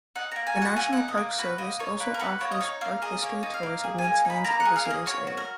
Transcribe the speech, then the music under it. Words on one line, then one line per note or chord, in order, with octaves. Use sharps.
The National Park Service also offers park history tours and maintains a visitors area.
D#4 F#5
A#3 A#5
G#5
F#4
F#5
A#3 G#5
D#4 F#5
D#5
A#3
F#4 B4
A#3 D#5
D#4 C#5
A#3 B4
A#4
F#4 B4
A#3 C#5
D#5
D#4 C#5
A#3 F5
G#4 D#5
A#3 C#5
D#4
F5
A#3
G#4
G#5
A#3
D#4 B5
A#3 A#5
F#5
G#4
F5
A#3
D#5
F#4 C#5
F#4
A#4